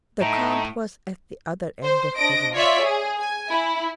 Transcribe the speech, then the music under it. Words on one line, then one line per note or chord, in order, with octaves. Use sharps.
The count was at the other end of the room.
A2 A3 D#4
C5
D4 D#5 A#6 D7
F4 C#5 D5 E5
G#4
G#5
E4